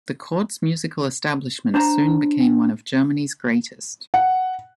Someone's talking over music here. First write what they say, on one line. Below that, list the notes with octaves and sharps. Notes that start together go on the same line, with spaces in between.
The court's musical establishment soon became one of Germany's greatest.
D4 C5 A5 A#5
F#5